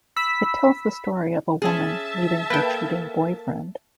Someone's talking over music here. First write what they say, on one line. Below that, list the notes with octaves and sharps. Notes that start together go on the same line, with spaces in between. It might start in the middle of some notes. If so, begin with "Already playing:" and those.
It tells the story of a woman leaving her cheating boyfriend.
B5 E6 B6
C#4 G#4 E5 A5
A#3 A4 B4 G5